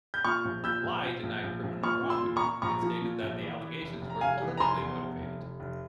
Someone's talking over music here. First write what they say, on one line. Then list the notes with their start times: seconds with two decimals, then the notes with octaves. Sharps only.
Lai denied criminal wrongdoing, and stated that the allegations were politically motivated.
0.14 G6
0.25 A#2 C#6 F6
0.45 A#1
0.64 A#2 E6 G6
0.84 A#1
1.03 A#2
1.23 A#1
1.44 A#1
1.64 A#1
1.83 A#2 C#6 F6
2.03 A#2
2.10 C6 E6
2.22 A#2
2.36 A#5 C#6
2.43 A#2
2.62 A#1 A#5 C#6
2.82 F3
3.02 A#2
3.22 A#1
3.42 E3
3.61 E3
3.82 F1
4.02 F1
4.10 A#5
4.21 F1 F5 G#5
4.42 E3
4.57 A#5
4.60 F1 G#5 C6
4.81 E2
5.01 F1
5.21 F1
5.40 F1
5.60 F1